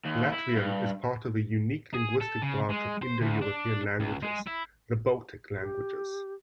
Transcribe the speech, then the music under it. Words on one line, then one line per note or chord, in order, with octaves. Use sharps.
Latvian is part of a unique linguistic branch of Indo-European languages: the Baltic languages.
D#2
E4
G2
G#4
A4
C#3
G#3
C5
D2
D4
C#2
G#3
E4
G4